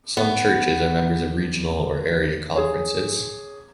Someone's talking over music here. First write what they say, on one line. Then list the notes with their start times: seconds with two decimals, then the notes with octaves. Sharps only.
Some churches are members of regional or area conferences.
0.17 B3
2.55 G#4 C#5